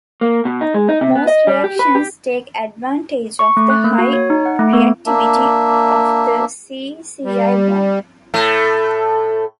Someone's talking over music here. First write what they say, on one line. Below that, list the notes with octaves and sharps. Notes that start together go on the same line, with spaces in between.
Most reactions take advantage of the high reactivity of the C-Cl bond.
A#3
B2
D#4
G#3
D#4
C3
B3
D#5
G3
G4
B4
G4
C#6
A3
F#6
A#3
F#4
C#5
D#4
F#5
A3
B3
A#3 D4 E5
G3
A2 A3